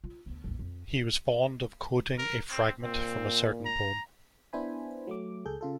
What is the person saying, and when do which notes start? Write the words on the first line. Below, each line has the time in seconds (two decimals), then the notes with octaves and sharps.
He was fond of quoting a fragment from a certain poem.
0.04 F4
0.26 D2 B3
0.44 A1 D#2
0.59 F2
2.19 A#4
2.52 C4
2.83 A#2 C4
3.66 A#5
4.53 B3 D4 E4 C5 G#5 B5
5.07 F#3 A3 D6
5.45 C#2 G#4 A4 G6
5.61 C#3 F4 A4